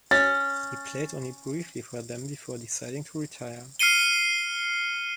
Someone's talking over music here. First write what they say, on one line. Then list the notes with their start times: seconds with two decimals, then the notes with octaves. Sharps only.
He played only briefly for them before deciding to retire.
0.11 C#4 A6
3.79 F6 C7 C#7 D#7 G7